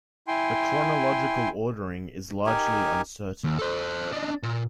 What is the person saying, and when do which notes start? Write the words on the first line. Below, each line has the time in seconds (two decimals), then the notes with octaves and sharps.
The chronological ordering is largely uncertain.
0.28 E4 G5 G#5 C6
2.46 D#4 G4 A#4 G#5
3.44 D#2
3.58 A4 C5
4.12 D4 D#4
4.43 A#2